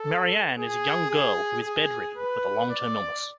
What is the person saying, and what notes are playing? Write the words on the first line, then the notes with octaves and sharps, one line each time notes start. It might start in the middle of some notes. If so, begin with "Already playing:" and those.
Marianne is a young girl who is bedridden with a long-term illness.
Already playing: A4
G#4
G#4
G#4
B4
D5